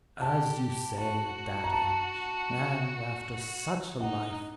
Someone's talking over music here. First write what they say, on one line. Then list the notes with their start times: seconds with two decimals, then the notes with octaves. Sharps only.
"As you say at that age, and after such a life."
0.22 G4 A5
0.98 F#4 A5
1.64 A#5
1.73 A5
4.01 D#4 F#5